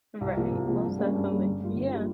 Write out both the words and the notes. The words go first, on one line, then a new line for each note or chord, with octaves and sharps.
Right, most definitely. Yeah.
C2
C3 F3 A#3
C2
C3 F3 A#3
G2
G3 A#3 C#4 G#4
G2
G3 A#3 C#4 G#4
G1
G2 G3 A#3 F4
G1
G3 A#3 F4